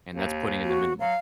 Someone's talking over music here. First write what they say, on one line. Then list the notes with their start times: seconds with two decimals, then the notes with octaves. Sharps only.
And that's putting in the minimum.
0.14 D#2
0.64 F#4
1.00 F#3 F5